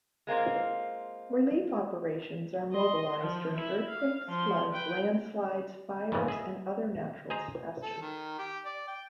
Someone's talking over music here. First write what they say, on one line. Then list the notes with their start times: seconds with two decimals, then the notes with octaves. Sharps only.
Relief operations are mobilized during earthquakes, floods, landslides, fires and other natural disasters.
0.27 G#3 A#3 C4 F4
2.73 D#5 C6
3.21 F3
3.57 E4
3.89 F5
4.28 F3 C6
4.72 B4 G5
6.12 F2 G#2 C#3 E3 B3
6.28 G#4 D#5 E5
7.30 G#4 C5 D#5 A#5
7.82 A4
8.02 D#3
8.39 G4
8.65 D5
8.88 G5